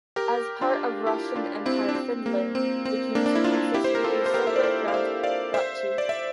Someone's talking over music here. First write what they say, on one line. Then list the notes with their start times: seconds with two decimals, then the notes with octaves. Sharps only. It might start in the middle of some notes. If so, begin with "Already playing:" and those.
As part of Russian Empire Finland became to constitute a separate grand duchy.
0.16 G4 A#4
0.61 D4 F4
1.06 E4 G4
1.36 D4 F4
1.66 C4 E4
1.89 D4
1.95 C4
2.26 A#3
2.55 C4
2.85 C4
3.15 A#3 D4
3.26 D4
3.35 E4
3.44 D4 F4
3.74 E4 G4
3.84 C5
3.95 A#4
4.04 F4 A4
4.26 C5
4.34 G4 A#4
4.47 E5
4.56 D5
4.63 A4 C5
4.88 F5
4.94 C5 E5
5.23 D5 F5
5.54 C5 E5
5.98 D5
6.09 E5